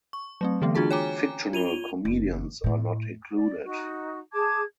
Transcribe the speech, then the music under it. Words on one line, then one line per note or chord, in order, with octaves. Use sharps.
Fictional comedians are not included.
C#6
F#3 A3 C4
D3 E3 A3 B3
D4 F4 F#4 G#4 A5
C#5 G5 G#5 A#5 D6
F4 D#7 F7 G7
F#1
A2 A3
D5
D#4 F#4
G#4 A5 D6 G#6